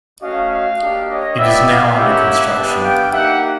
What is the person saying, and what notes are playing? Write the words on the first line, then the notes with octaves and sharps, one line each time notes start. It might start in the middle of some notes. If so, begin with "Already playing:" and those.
It is now under construction.
A3 C#4 F#4 D#5 F5
D#5 F5
A#3 D4 G4
C#5 D#5
B3 E4 G4 D5 E5
D#5 F5
A#3 C#4 E4 G4 E5 F#5
B3 D4 G4
F5 G5
A#3 D#4 G4 E5 F#5